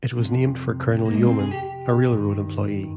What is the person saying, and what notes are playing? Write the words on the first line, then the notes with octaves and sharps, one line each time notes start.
It was named for Colonel Yeoman, a railroad employee.
F2 C3
A#3
G#3
C4
G#4
G4
G4
G2 D#3